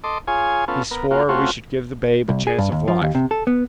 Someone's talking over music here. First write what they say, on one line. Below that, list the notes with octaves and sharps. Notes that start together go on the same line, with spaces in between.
He swore we should give the babe a chance of life.
A4 D#5 C6 D6
F4 G#4 C#5 G#5
B3 C#4 F4 A4
B3 A#4
A#3 F4 F#4
A3 C4 C#4 F4 F#4
C2
G#4
G2
D#2
F3
D#2
C3
A4
B3